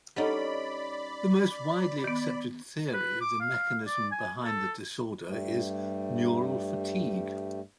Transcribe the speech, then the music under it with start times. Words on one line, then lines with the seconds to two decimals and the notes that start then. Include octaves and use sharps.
The most widely accepted theory of the mechanism behind the disorder is "neural fatigue".
0.16 G3 C#4 D#4 A4 D5 D#5 F#5 B5
2.04 D#3 B3
2.94 B4
3.21 D6
3.40 F5
3.87 D5
4.12 G#5
4.45 A4
5.26 G2 G3 A3